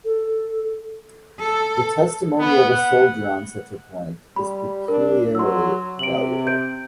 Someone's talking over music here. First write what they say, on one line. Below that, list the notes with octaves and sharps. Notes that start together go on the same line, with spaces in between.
The testimony of a soldier on such a point is peculiarly valuable.
A4
A4
B3
F#5
G3 B5
D4 A#4
F#3 C6 E6
C3 D7 F#7
G6 D7